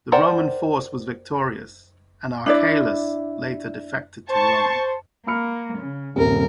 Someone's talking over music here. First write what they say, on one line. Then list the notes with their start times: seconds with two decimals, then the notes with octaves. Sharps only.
The Roman force was victorious, and Archelaus later defected to Rome.
0.12 A#4 C5 D5 F#5 G5
2.46 D4 E4 D5
4.30 C5 A5 C#6
5.27 A#3 B5 F6 C#7
5.78 C#3
6.16 D#1 G2 C3 A#4